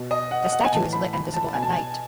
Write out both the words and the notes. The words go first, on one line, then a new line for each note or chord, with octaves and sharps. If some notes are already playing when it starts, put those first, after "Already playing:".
The statue is lit and visible at night.
Already playing: B2
D#5
F#5
F#5
G#5
A2 E3 A5
B5
B5
A5
B2 G#5
A5
G#5